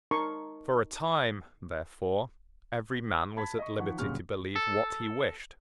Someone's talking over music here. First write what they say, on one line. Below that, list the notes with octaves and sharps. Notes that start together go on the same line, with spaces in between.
For a time, therefore, every man was at liberty to believe what he wished.
D#4 A#4 A5 C6 C#6
A5 B5 G#6 B6
D#5 C#6
D#3 F3 F#5 C#6
D1 A#2 C#3 G3 C#6 F6
A4